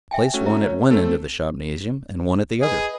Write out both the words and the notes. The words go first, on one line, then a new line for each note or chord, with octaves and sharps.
Place one at one end of the shopnasium and one at the other.
E5 G5 G#5
A3 C#4 F#4
E5 A#5
C#5
A3 C4 A4
G#4 B4 D#5